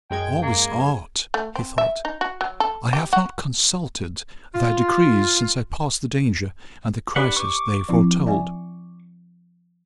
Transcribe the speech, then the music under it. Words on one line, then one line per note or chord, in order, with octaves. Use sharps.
'August art!' he thought, 'I have not consulted thy decrees since I passed the danger and the crisis they foretold.
F#2 G#3 G5 G#6
A#3
A3
C4
E5
D#4
F#4
F#3
A4
G4
F#4
F4
D4 G4 B4 D5 F#5
C#6 D6
F3 C4 E4
D5 E5 G#5